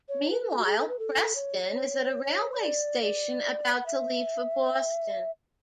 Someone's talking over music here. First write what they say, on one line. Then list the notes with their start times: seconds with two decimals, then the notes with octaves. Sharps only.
Meanwhile, Preston is at a railway station, about to leave for Boston.
0.09 C#5
0.30 B4
0.51 A4
0.58 F#4
0.65 G#4
0.78 A4
0.89 B4
0.99 A4
1.35 C#5
2.54 C#5
2.60 D5
3.02 D5
3.75 F#5
3.86 E5